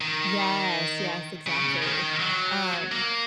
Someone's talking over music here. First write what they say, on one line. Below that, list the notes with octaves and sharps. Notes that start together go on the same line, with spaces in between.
Yes, yes, exactly. Um,
D#3
C#3
D#3
F#3
A#3